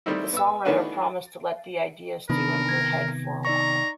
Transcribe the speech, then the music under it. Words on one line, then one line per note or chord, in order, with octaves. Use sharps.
The songwriter promised to let the idea stew in her head for a while.
D#3 G3 A3 C4 D#4 E4
B3 E6
D#3 E3 A3 B3 D4 F#4
C3 D#3 B3 D4 A#4 B5
G#6 A#6
D#4 D5 A#5 C#6